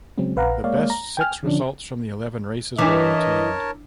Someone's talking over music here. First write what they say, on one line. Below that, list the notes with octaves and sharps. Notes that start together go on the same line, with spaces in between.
The best six results from the eleven races were retained.
C#3 F#3 G#3 C4 C#4
A#1 B4 F5 F#5 A#5
G#3 A#3 C#5 D5 F5
A#5
G5 G#5 F6
D3 F3 C#4 D4
E3 D4 A#4 C#5 D#5 A5 D6